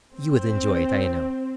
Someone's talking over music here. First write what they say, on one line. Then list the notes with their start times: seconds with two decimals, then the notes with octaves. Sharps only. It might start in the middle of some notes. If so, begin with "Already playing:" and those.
You would enjoy it, I know.
0.14 C4